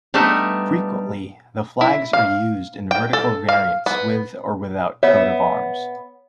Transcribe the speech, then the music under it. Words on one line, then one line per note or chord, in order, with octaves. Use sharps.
Frequently, the flags are used in vertical variants with or without coat of arms.
G3 A3 B3 D4 D#4
E4
F5
G5
A4
F5
B3
B3 C#5 E5